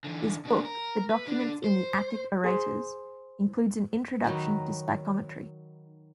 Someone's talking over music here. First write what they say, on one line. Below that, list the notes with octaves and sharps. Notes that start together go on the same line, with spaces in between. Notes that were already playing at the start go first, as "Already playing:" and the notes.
His book, "The Documents in the Attic Orators", includes an introduction to stichometry.
D3 E3
B2 D4
A#4
B4
D3 D4
C5
G#4 C5
D#3 F#3 D#4 B4